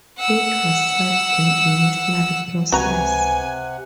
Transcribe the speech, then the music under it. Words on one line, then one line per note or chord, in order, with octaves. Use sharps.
It was such an emotional process.
F#5 E6
C#2 C3 C4 F#4 B4 F#5 G#5 A#5